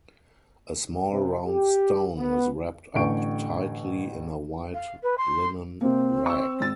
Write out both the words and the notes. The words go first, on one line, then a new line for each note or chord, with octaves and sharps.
A small round stone is wrapped up tightly in a white linen rag.
C3
G4
B3
A1 D3 G5 C#6 D7
F5
B4
C6
C3 A#3 C4
C#6 E6
G#1 A6